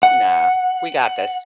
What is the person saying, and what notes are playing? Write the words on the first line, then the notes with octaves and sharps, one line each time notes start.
Nah, we got this.
F#5